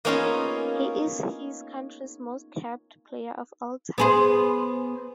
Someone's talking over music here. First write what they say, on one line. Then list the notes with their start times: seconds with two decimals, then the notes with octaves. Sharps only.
He is his country's most capped player of all time.
0.05 A#3 B3 C#4 D#4 F4 G#4
3.98 B3 G#4 C5